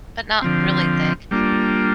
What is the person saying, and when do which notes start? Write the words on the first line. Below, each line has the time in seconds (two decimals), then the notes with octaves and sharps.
but not really thick.
0.42 D3 F3 C4
1.31 G3 A#3 D4 F4